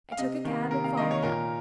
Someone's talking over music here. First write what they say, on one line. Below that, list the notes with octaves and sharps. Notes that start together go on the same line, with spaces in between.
I took a cab and followed them.
F5
C3 D#5
D#3 A#3
C3 A#4
F5
D#3 A#3 D#5
C#5
A#2 A#4